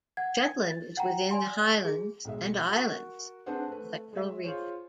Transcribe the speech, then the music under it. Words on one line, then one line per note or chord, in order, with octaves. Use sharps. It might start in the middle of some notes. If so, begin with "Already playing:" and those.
Shetland is within the Highlands and Islands electoral region.
F#5 G#6
G#6
A6
F#5 G5 A#5
D5 G#5 C6
G#4
B1 G#3 E5
F#4 A#4
C4 D4 G#4 B4 C5 F#5
A3 B4
G#3 E5
F4 G#4 C5 C#5